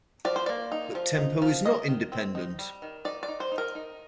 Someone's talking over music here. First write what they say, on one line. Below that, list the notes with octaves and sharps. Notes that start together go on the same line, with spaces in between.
But tempo is not independent!
F3 D5
C5
A#3 D5
D#4
F3
D#4
F3
D#3 D#5
D#3
C4
D#4
G3
D#3
D#4 D5
D5
D#4
C5
D#4
A#4
D#4